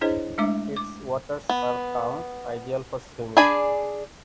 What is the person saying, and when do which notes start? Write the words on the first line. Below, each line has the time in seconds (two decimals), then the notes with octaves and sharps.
Its waters are calm, ideal for swimming.
0.01 D4 E4 G#4 C5 C#5 D#5
0.38 G#3 A3 D4 E5 D6
0.77 D6
1.49 B3
3.37 D4 G#4 D5 G#5 B5